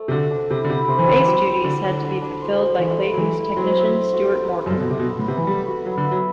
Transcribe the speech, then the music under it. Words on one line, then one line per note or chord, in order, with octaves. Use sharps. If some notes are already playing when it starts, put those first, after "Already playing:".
Bass duties had to be fulfilled by Clayton's technician Stuart Morgan.
Already playing: A3
C3
D3 F#4
D4
C3 E4
D3
C3 E4
C3 C5
E3
D3 G4
E3
F#3 G3
G3
D3 F#4
D3 D4
D4
D4
C5
F#4
E3 A3
B4
F#3
E3 G4
E4
F#3 C4
E5
C5
F#4
G3
G3
F#2
G2 A4
B2
C3 D4
B2
B3
A2
C3 B3
E3
G3 B4
F#4
F#3 B3
D3
E5
F#3